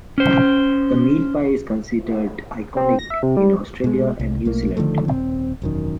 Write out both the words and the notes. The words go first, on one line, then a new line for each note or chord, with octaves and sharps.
The meat pie is considered iconic in Australia and New Zealand.
C#4 C5
C4
A#6
E5
C3
G3
B2 G#3
C2
B1 A3 A#3
D3 D#3 F3 A3
D#1 C4
E1 F#2 D#3